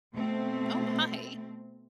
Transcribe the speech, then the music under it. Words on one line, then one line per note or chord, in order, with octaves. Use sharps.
Oh my!
B2 A3 C4